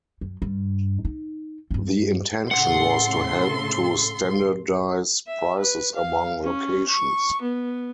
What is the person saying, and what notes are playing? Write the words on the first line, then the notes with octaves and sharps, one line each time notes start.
The intention was to help to standardise prices among locations.
F#2
G2
D#4
G2 C4
A2 C#3 A4 F#5 C6
E5
B4
F5
C#4
C#6
B3